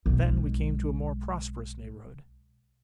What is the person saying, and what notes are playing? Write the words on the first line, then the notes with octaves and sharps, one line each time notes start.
Then we came to a more prosperous neighborhood.
B1 G#3